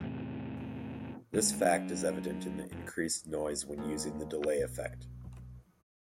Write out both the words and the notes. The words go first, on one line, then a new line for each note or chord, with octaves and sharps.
This fact is evident in the increased noise when using the delay effect.
E2 A2 C3
D2 G#3
F#3 C#4
F1
D#2
B1